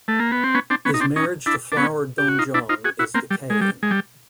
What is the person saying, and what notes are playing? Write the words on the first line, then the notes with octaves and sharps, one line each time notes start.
His marriage to Flower Dongeon is decaying.
A3
A#3
B3
C4
B3 C#4
C4 D4
B3 C#4
D#4
C4 D4
C#4 D#4
D4 E4
D4
B3 C#4
G4
F#4
D#4 F4
D4 E4
D#4 F4
F#4 G#4
E4 F#4
A#3 C4
G3
G#3
G3
G#3
G3